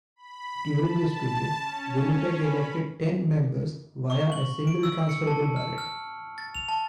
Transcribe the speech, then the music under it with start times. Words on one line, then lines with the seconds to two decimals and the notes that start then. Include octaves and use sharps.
During this period, Winnipeg elected ten members via a single transferable ballot.
0.16 B5
0.80 A5
1.58 C#4
2.38 B5
4.10 C#6
4.32 F#7
4.67 D7
4.83 E6
5.09 C#7
5.27 A5
5.56 F6
5.78 F6
6.38 A6
6.55 F7
6.69 A5